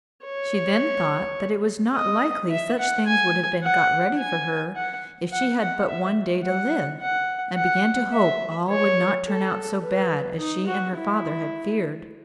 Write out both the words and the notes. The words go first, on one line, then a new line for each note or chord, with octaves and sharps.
She then thought that it was not likely such things would have been got ready for her, if she had but one day to live; and began to hope all would not turn out so bad as she and her father had feared.
C#5
D#5
E5
F#5
G#5
F#5
G#5
F#5
F#5
F#5
E5
F#5
F#5
F#5
E5
C#5
A4
B4
D#4
F#4
E4